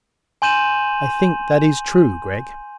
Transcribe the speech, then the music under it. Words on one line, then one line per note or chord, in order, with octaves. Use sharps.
"I think that is true, Gregg!"
G#5 C6 G6 D#7 E7 F#7